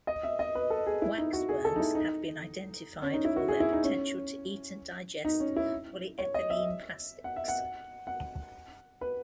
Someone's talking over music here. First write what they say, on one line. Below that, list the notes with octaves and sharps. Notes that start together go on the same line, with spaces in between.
Waxworms have been identified for their potential to eat and digest polyethylene plastics.
D#5
E5
D#5
B4
A4
G#4
E4
D#4
F#4
G#4
A4
D#4
E4
D#4
C#4
D#4
E4
F#4
G#4
E4
D#4
C#4
D#4
C#4
E4
C#5
D#5
E5
F#5
E5
F#5
F#5
B4